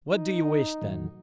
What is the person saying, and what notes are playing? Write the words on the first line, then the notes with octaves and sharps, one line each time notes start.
"What do you wish, then?"
D#4
A2 D#3 F#3